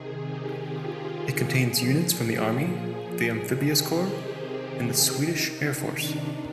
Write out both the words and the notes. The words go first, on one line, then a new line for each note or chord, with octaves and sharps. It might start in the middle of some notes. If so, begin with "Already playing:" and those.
It contains units from the Army, the Amphibious Corps and the Swedish Air Force.
Already playing: C3 D#3 G#4
G4
F4
G#4
A#2 F3
G#4
C3 D#3 G#4
G4
C4
C4
C4
C3 D#3 D#4
D4